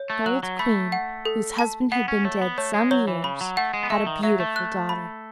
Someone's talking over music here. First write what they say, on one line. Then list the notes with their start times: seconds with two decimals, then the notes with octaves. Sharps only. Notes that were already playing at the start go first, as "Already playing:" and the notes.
An old queen, whose husband had been dead some years, had a beautiful daughter.
Already playing: C#5
0.10 A3
0.26 F#3 F#6
0.43 F#3
0.59 A3 B5
0.92 F#5
1.25 A4
1.59 A5
1.92 B3 F#5
2.08 C#4
2.25 A3 C#5
2.41 B3
2.58 A3 C#5
2.74 G#3
2.91 F#3 C#5
3.08 E3
3.24 C#3 B5
3.41 F#3
3.57 A3 F#5
3.74 G#3
3.83 B3
3.90 A3 E5
4.07 D#3
4.23 F#3 E5
4.40 A3
4.56 F#6
4.89 B5